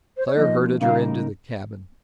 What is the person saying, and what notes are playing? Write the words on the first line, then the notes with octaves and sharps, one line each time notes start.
Claire herded her into the cabin.
C5
C#5
F3 A#3 D#4 D#5
C#3 G3 A#3 D#4 A#4 F5